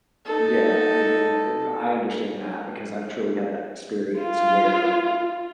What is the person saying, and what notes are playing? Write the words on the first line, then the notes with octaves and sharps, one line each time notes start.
Yeah, I mean, and, uh, you I understand that because I've truly had that experience where,
D#4 A4
F4